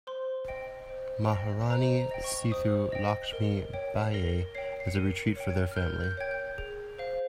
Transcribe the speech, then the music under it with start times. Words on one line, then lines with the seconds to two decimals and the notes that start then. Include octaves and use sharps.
Maharani Sethu Lakshmi Bayi, as a retreat for their family.
0.07 C5 C6
0.48 D#5 G5
0.89 C5
1.30 D#5 G5
1.70 C5 A#5
2.11 D#5 G5
2.24 C#6
2.51 C5 D#6
2.92 D#5 G5
3.33 A#4
3.73 C#5 G5
4.14 A#4 A#6
4.55 C#5 G5 C7
4.80 C7
4.88 C#7
4.95 A#4 D#7
5.23 C#7
5.36 C#5 G5
5.50 G#6
5.71 F6
5.76 A#4 G6
6.04 G6
6.17 C#5 G5 G#6
6.31 G6
6.58 G#4
6.99 C5 F5